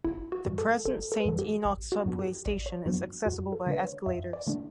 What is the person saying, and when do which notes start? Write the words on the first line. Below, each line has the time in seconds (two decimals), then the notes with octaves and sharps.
The present Saint Enoch subway station is accessible by escalators.
0.05 G1 E4
0.32 F#4
0.45 G2 E3 G3
0.58 A4
0.85 G1 A4
1.12 A4
1.20 B4
1.25 G2 E3 G3 A4
1.39 G4
1.65 A1
1.92 F#4
2.06 G2 F#3 B3 D4
2.19 G4
2.46 A1 D5
2.66 C#5
2.86 G2 F#3 B3 D4 F#4
3.26 F#2 F#4
3.52 A4
3.67 D3 A3 D4 B4
3.80 C#5
4.06 F#2 E5
4.33 D5
4.47 D3 A3 D4